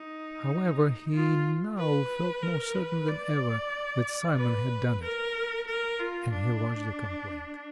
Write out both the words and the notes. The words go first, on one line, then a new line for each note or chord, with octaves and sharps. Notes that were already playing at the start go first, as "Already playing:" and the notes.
However' he now felt more certain than ever that Simon had done it, and he lodged a complaint.
Already playing: D#4
F4
B4
A#4
B4
D5
B4
A#4
A#4
F4
D4